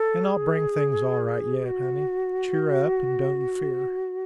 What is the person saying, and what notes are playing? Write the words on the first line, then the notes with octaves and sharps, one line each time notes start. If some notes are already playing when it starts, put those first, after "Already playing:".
And I'll bring things all right yet, honey--cheer up and don't you fear.
Already playing: A4
G#4
F#4